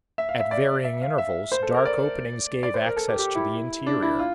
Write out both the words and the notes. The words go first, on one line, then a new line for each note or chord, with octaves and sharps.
At varying intervals dark openings gave access to the interior.
E5
F5
E5
D5
E5
F5
E5
C5
A4
A#4
D5
D5
C5
A#4
A4
G4
G4
E4
D4
E4
F4